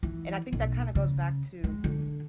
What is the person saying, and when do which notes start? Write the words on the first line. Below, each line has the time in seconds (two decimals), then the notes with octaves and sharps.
and, I think that, kinda goes back to
0.03 E3
0.53 B1
0.95 C#3
1.64 G#3
1.84 D3